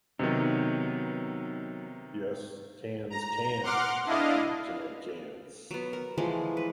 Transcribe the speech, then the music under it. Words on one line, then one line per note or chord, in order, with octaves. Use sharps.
Yes, cans can can canned cans.
C3 D#3 F#3 B3 D#4
A#5
F#5 C6 D6 F6
D4 E4 D#5 F5
F#3 B3
A#4
E3 F3 G#3 A3
B4